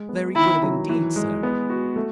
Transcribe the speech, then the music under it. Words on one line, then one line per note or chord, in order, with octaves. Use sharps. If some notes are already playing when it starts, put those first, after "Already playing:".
"Very good indeed, sir."
Already playing: G#3
B3
D#3 E4
F#3
E3
G#3
B3
F#4
A3